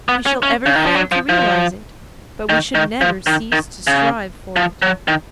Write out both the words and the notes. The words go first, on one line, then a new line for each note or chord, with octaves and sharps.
We shall ever fail to realise it, but we should never cease to strive for it.
B3
C#4
C#4
C#3
D#3
F3
F#3
F3
F3
D#3
D#3
F3
D#3
D#3
C#3
F3
F#3
D#3